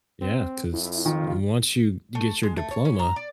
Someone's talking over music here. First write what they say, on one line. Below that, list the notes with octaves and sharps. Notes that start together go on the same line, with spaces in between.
Yeah, 'cause once you ge get your diploma,
C4
F2 E4
D#3 F4
A3
G#3
A3
C#5
C#4
A#5
D5